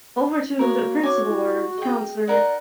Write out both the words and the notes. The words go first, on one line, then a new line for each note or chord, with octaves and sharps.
over to the principal or counselor,
A#3 F#4 A#4 C#5
F#4 C#5 G#5 D6
E4
G#4 D#5 G5
D#4 A#4 D5 F#5